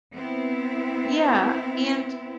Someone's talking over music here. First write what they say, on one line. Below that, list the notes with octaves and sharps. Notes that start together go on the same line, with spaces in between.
Yeah, and
B3 C4 E4